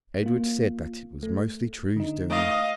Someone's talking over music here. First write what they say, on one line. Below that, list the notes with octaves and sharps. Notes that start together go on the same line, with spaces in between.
Edred said that it was mostly True's doing.
A#3 F4
A3
D3 D#4
A3 D#5 F5